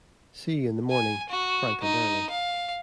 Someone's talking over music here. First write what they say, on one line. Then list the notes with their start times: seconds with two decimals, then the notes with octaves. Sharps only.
See you in the morning, bright and early.
0.90 G#5
1.29 F#4
1.82 D#4
2.31 F5